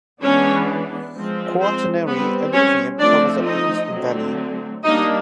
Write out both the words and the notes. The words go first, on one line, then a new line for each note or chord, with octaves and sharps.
Quaternary alluvium covers up the eastern valley.
E3 G#3 B3 C#4 D4 C#5
F3 G#3 C4
C4 C5
G3 B3 C4 B4
C#4 C#5
F3 A3 C4 D4 D5
D#4 D#5
D3 F#3 A3 C4
G3 A#3 D4 D#4 D#5